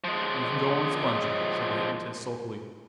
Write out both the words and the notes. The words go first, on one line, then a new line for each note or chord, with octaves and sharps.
"You can go on sponging," said the hypnotist sulkily.
F3 G#3